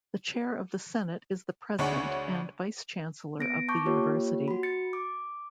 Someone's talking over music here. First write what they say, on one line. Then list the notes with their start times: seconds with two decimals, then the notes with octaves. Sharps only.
The Chair of the Senate is the President and Vice-Chancellor of the University.
1.79 D2 D4 G#4 C#5 F#5
3.39 B3 A#6 D7
3.68 A5 C#6 D6 G6
3.86 A#3 F4 G4 C#5
4.48 F#4 B5
4.63 A6 C#7
4.93 D6